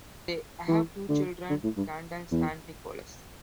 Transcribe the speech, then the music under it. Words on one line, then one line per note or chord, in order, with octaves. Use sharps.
They have two children: Candace and Nicholas.
E3
D3
D3
A2
G2
E2